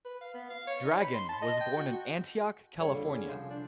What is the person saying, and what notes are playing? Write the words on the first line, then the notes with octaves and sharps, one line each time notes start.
Dragon was born in Antioch, California.
B4
F5
B3
F5
C#5
D#4
B5
C6
A5
D#5
G5
F#4
A#1 F2 G3 C#5
D3
C#4 G#4
C2 F3 C5
D4